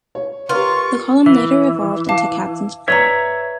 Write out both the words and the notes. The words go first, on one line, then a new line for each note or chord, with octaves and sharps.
The column later evolved into Captain's Blog.
C#5
F4 G4 A#4 B4 C#6
E3 E5
F5 A5 D6
B4 C#5 D5 E5 A#5